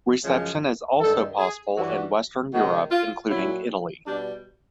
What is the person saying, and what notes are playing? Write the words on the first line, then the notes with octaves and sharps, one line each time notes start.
Reception is also possible in Western Europe, including Italy.
F#2 C#3 F3 G#3
G2 D#3 G#3 A4
G#4
G2 E3 G3 F#4
C3 D#3 G#3 F#4
F4
A#2 F#3 E4
B2 G3 D4